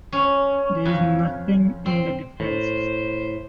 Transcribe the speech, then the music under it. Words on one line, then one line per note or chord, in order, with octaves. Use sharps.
There is nothing in the differences.
C#4
F2
C4
A2 C5